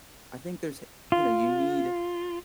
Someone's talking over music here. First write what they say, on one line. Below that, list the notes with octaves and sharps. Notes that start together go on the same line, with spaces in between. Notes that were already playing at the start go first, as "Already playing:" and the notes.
I think there's h you know, you need
F4